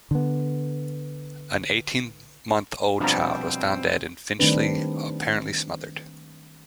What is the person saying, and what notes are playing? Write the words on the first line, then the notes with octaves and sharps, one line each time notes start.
An eighteen-month-old child was found dead in Finchley, apparently smothered.
D3 B3
B2 F3 G3 C4 D4 A#5
D#3 G3 A3 C4 D4 B4